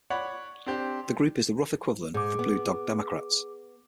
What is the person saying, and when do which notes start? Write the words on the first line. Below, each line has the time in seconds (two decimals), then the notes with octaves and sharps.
The group is the rough equivalent of the Blue Dog Democrats.
0.10 C#5 D5 F#5 B5
0.66 C4 D4 G4 C5
2.14 G#2 G#4 D6
2.39 B3